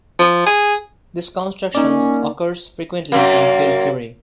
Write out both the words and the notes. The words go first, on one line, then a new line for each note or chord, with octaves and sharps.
This construction occurs frequently in field theory.
F3
G#4
A#3 C#4 D#4 D5
F#2 A#3